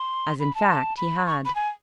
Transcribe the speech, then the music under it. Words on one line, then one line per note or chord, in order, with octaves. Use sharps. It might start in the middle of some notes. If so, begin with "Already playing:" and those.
As, in fact, he had.
Already playing: C6
B5
A5
B5
C#6
B5
G#5